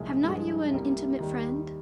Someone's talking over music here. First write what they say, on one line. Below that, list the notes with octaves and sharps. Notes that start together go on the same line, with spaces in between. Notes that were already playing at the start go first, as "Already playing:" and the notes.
"Have not you an intimate friend?"
Already playing: C2 A#2 F3 G#3
G2 F3 G#3
C2 C3 G3 A#3
D#2 D#3 G3